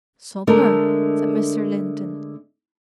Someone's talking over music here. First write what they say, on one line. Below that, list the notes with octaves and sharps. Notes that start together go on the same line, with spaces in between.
"Supper?" said Mr. Linton.
D3 G#3 A3 D4 A#4